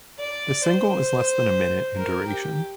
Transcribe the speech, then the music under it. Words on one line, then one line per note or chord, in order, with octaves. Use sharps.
The single is less than a minute in duration.
D5
C5
A#4
G4